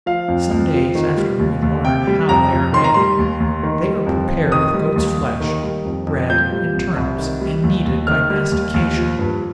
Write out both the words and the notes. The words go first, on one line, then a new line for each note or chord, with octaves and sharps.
Some days after we learned how they are made; they are prepared of goat's flesh, bread, and turnips, and kneaded by mastication.
F3 F5
F2
F2
F3
D#3
G3
D#2
D#2
C3 G5
G3
F2 A#5
F2
D#3 C6
A#5
G3 C6
D#2
D#2
D#3
G3
F2
F2
D#3 D#6
G3
D#2
D#2
D#3
G3
F2
F2
A#2 G6
G3
C2
C2
D#3
G3
D#2
D#2
D#3 F6
G3
D#2
D#2
F3
G2